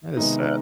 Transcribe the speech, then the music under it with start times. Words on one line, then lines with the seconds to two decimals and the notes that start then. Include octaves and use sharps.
That is sad.
0.17 C3 D#3 G#3 B3 D#4